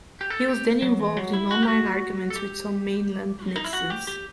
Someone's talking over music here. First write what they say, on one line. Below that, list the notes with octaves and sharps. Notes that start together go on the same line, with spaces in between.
He was then involved in online arguments with some mainland netizens.
G4
A4
G4
F#3
E3
F#3
E4
F#4
G4
F#4
A4
G4
C4
D#4
E4
F#4
G4
G4